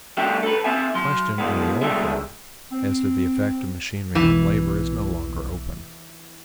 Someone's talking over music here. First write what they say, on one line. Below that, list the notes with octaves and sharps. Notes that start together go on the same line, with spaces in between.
The question in the old form, as to the effect of machinery on labor, is no longer open.
G2 A3 D4 G4 E5 G5
A4 B4
C4 E5 G#5
F#3 C6
B2 G#3 B3
C2 G2 D3 G#3 G4 E5
C4
B1 E3 G#3